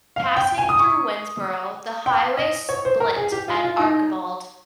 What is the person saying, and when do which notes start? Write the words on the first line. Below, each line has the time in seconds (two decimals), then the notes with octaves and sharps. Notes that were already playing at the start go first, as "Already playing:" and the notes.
Passing through Winnsboro the highways split at Archibald.
0.16 F5
0.36 G5
0.58 G#5
0.69 D#6
0.79 C#6
2.06 G5
2.37 D#5
2.69 C#5
2.85 C5
3.00 A#4
3.16 G#4
3.32 G4
3.48 F4
3.64 F4
3.79 D#4